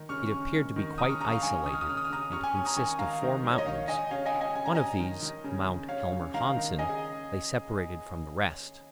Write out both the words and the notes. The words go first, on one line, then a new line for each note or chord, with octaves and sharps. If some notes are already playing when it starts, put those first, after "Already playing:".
It appeared to be quite isolated, and to consist of four mountains; one of these -- Mount Helmer Hanssen -- lay separated from the rest.
Already playing: D#3
C#3 C#6 F6
C#3
D#3
D#3
C#3 A#5 D#6
C#6 F6
C#3 A#5 D#6
F5 A#5
D#3 G#5 C#6
D#3 D#6
F6
D#6
C#3 F6
D#6
F6
C#3 A#5 D#6
C#3 C#6 F6
G#5 C#6
C#3
A#5 D#6
D#3 G#5 C#6
D#3 F5 A#5
D#3
D#3
C#5
D#5
D#3 C#5 F5
D#3 D#5 G#5
C#3 C#5 F5
D#5 G#5
C#3
D#5 G#5
C#3 G#5
A#5
C#3 D#5 G#5
D#3
D#3
C#3
C#3
C#3 C#5 F5
C#3
D#3 F5 A#5
D#3
C#3 D#5 G#5
G#4